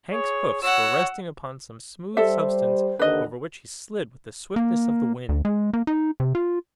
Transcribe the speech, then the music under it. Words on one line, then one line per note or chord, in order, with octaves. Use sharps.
Hank's hoofs were resting upon some smooth substance over which he slid with the swiftness of the wind.
G#4 C#5
F#4 C#5 F#5 E6
G3 A4 C5 E5
D#2 D3 B4 D#5
A#3
D2
G#3
A#3
D#4
C3
F4